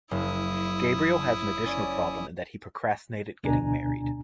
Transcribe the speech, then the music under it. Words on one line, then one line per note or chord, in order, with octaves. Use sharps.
Gabriel has an additional problem in that he procrastinated getting married.
F#1 E4 D#6
C#4 D5
D2 B2 D4 G#5 A#5